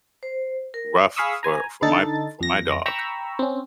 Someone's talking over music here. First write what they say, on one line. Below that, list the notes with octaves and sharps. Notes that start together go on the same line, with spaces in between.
rough for for my for my dog,
C5
A#4
G#4 F5 B5 C#6 D#6 E6
G#5 A#5
D3 D#4 A4 A6
F2 A#6
G5 A#5 B5 C#6 E6
C4 C#4